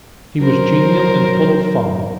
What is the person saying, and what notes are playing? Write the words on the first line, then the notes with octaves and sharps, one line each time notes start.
He was genial and full of fun.
F#3 A#4 C5